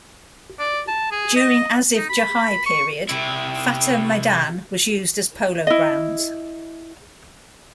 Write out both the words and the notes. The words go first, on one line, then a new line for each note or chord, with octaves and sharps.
During Asif Jahi period, Fateh Maidan was used as Polo Grounds.
D5
A5
G#4
D#5
D#4
B5
C#6
C3 E4
E4 D#5